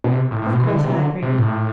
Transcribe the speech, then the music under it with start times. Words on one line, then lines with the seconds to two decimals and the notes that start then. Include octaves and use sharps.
Of course I agreed.
0.04 B2
0.09 C3
0.31 A2
0.42 A2
0.52 B2
0.63 E3
0.74 D3
0.82 C3
0.90 E3
0.98 D3
1.22 C3
1.38 A2